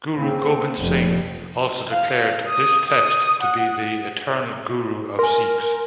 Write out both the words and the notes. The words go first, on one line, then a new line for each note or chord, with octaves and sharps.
Guru Gobind Singh also declared this text to be the eternal Guru for Sikhs.
C#3 A#3 C4
F1
F5
D#6
D#6
F#5
A#4 G#5 C6